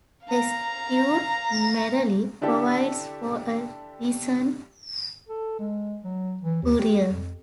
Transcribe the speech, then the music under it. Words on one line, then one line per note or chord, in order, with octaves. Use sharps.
The statute merely provides for a decent burial.
F5 A#5
D3 D4 E4 G4 A4
A4
G#3
F#3
E3
D#2
G4
F2